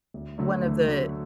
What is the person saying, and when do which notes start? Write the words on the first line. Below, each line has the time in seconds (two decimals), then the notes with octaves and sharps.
one of the
0.14 D2
0.38 D3 F#3 A3
0.62 D2
0.87 D3 F#3 A3